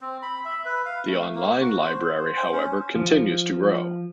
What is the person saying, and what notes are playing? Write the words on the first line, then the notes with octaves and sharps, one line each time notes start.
The online library, however, continues to grow.
C4
B5
E5
B4
F5
A3
A#3
F#4
C5
C5
C5
C#4
F3